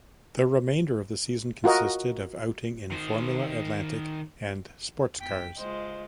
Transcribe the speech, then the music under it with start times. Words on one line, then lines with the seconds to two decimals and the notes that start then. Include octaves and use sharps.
The remainder of the season consisted of outing in Formula Atlantic and Sportscars.
1.64 F4 F#4 A#4 D#5
2.92 D#3 C5
5.20 E2 G5 B6
5.58 F#1 G#3 F4 C5 D#5